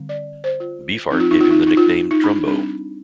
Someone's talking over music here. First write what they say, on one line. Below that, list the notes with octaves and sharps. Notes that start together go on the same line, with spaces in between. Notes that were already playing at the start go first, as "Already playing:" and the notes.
Beefheart gave him the nickname "Drumbo".
Already playing: D3 G3 C4
D5
C5
F4
F3 C4 D#4
F4
D#4
F4
D#4
D#4
F4
D#4
D4
G3 C4 D4